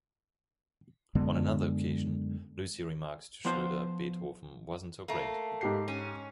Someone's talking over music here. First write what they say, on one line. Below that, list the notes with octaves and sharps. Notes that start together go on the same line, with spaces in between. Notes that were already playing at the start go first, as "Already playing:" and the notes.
On another occasion, Lucy remarks to Schroeder Beethoven wasn't so great.
F#2 D3 G#3 B3
F3 B3 F4 C5
A3 A#3
G#2 G4 C7
C#4